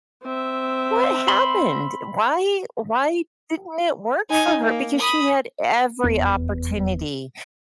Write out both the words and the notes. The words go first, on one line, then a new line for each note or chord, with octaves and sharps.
what happened? Why why didn't it work for her?" Because she had every opportunity,
C4 E5
B5 C6
D#4 G#5
A#3
B5 D#6
F1 E2 B3